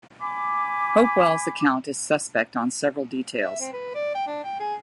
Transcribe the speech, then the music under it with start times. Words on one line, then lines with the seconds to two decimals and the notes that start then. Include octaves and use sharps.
Hopewell's account is suspect on several details.
0.20 G#5 B5 D6
3.40 E5
3.60 C4
3.73 B4
3.95 D5
4.15 G5
4.27 D4
4.44 G5
4.60 G#4